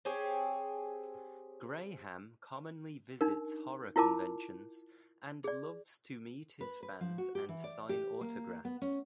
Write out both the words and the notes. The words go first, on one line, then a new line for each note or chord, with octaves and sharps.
Graham commonly visits horror conventions and loves to meet his fans and sign autographs.
C4 G4 G#4 C#5
D4 D#4 A#4
E4 F4 A#4 A5 D6
G#4 D5
B4
B4
F3
F#4
G4
E3
D5
G4
A#3
B3
C#4